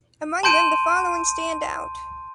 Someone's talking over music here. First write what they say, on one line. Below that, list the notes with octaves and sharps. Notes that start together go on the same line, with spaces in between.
Among them, the following stand out.
A5 C6 G6 D7 D#7